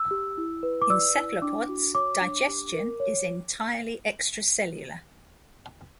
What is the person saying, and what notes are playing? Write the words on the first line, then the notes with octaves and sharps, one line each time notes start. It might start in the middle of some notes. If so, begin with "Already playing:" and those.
In cephalopods, digestion is entirely extracellular.
Already playing: E6
G4
E4
B4
D6
D5 E6
E4
D4 D6
F#4
C#5 D6
D4
G4
A#4
C#5